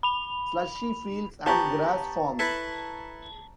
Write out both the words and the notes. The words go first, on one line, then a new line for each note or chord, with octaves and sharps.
Slushy fields and grass farms.
B5 F7
B3 G4 A5 A#5 C#6
E4 A4 B4